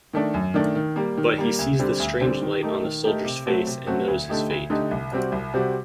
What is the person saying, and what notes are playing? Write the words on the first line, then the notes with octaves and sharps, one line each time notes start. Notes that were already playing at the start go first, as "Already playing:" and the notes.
But he sees the strange light on the soldier's face and knows his fate.
D#3 A3 D4
F#2
D#3 A3 D4
D#3
G3 A#3
D#3
G3 A#3
D2
D3 G3 C4
D2
D3 G3 C4
D#3
A3 D#4 G4 A#4
D#3
A3 D#4 G4 A#4
C3
F#3 A3 C4 F#4
C3
F#3 A3 C4 F#4
D2
D3 A3 D#4 G4
D2
D3 A3 D#4 G4
C2
C3 G3 C4 F#4
C2
C3 G3 C4 F#4